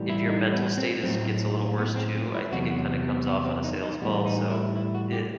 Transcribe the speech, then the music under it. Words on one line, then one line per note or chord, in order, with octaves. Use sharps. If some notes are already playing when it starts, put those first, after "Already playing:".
if your mental state is gets a little worse, too, I think it kinda comes off on a sales call, so, it
Already playing: A2 E3 G3
E4
D#4
B3
C4
A2 F#3 C4
B3
C4
C4
E4
E2 C3 F#3 F#4
F#4
B3
B3
C4
D#4
D#4
A2 E3 G3 B3
D#4
E4
E4
F#4
G4